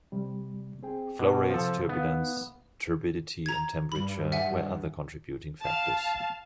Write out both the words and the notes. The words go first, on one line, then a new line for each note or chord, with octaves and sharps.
Flow rates, turbulence, turbidity and temperature were other contributing factors.
C3 G3
C4 G#4 G5
B2 D6
C3 F3 A4
B3 D#4 F5
A#5 G#6
G2 B5
E5 F#5 G#5
F5 A5